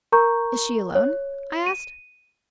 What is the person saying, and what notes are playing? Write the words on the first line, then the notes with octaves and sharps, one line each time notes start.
"Is she alone?" I asked.
A#4 A#5 C#6 G6
C#5
D#7